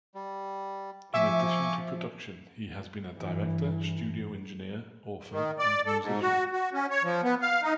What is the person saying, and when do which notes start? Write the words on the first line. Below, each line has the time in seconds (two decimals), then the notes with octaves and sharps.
In addition to production, he has been a director, studio engineer, author and musician.
0.15 G3
1.14 F3 E5 G#5 C#6 D6
3.15 G2 E3
5.32 D#3
5.59 D5
5.86 A4
6.02 G#2
6.22 F#4
6.53 F#4
6.73 C#4
6.90 C#5
7.03 F3
7.24 B3
7.42 F5
7.62 D#4